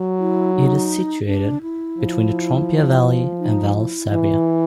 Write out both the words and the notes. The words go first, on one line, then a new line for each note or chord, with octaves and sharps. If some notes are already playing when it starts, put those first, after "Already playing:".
It is situated between the Trompia valley and Val Sabbia.
Already playing: F#3
E4
D#4
D4
E4
F3
D#4
E4
E3